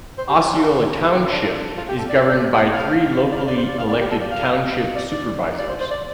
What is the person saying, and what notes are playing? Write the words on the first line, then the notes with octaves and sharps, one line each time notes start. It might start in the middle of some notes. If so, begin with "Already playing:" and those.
Osceola Township is governed by three locally elected Township Supervisors.
C5
G4
F4
D4
C4
D4
F4
G4
A4
D5
D5
D5
F5
D5
F5
D5
C5
D5
F5
D5
G4
A4
D5
F5
D5
D5
D5
C5
C5
D5